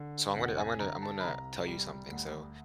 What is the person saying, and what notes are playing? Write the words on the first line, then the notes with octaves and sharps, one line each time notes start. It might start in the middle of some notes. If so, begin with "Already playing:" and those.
so I'm gonna I'm gonna I'm gonna tell you something, so,
Already playing: D3
F1 F#5
G#5
D3 A#5
A5
B5
C2 A#5
G3
D2